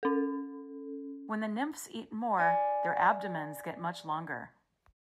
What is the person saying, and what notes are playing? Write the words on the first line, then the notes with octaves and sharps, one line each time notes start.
When the nymphs eat more their abdomens get much longer.
C#4 A4
D5 G#5